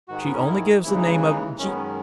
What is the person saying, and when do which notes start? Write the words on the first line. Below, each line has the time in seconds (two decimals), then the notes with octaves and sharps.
She only gives the name of 'G.
0.08 G#2 D#3 G#3 F#4
0.25 B3
0.32 C#4
0.39 D#4
0.46 E4
0.84 D#2 C#3 E3 G#3 E4
0.95 D#4
1.07 E4
1.22 D#4
1.59 F#2 D#3 G#3 C#4
1.67 B3
1.76 C#4